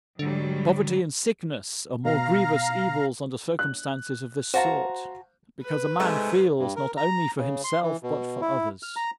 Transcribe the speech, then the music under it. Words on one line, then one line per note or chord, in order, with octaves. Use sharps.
Poverty and sickness are more grievous evils under circumstances of this sort; because a man feels not only for himself, but for others.
G#2 D3 F#3 G3
B2 F5 A#5
F#6
F#4 C5 F5 A5 A#5
B4
G#2 C3 G#3 A3
G2
A#4
A#5
C#3
C6
E3
B2
E4
F6
A#5